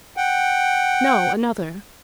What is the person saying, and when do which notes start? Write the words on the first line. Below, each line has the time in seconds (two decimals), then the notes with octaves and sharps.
"No, another."
0.17 F#5 G5